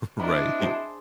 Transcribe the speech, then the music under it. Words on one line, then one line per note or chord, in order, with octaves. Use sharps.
Right, he
C4 D4 E4 D#5 B5
G#4 C5 A5